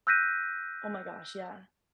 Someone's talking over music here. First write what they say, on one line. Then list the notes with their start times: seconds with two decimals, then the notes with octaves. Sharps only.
Oh my gosh. Yeah.
0.07 E6 F#6 G6 A#6 B6 D#7